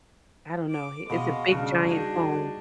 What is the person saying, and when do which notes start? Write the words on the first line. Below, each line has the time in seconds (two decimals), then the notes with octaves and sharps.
I don't know h it's a big giant phone.
0.70 D6
1.10 B2 G#3 D#5 F5
1.49 C#3 G3 D4 F#4
1.89 D#4 F#4 G#4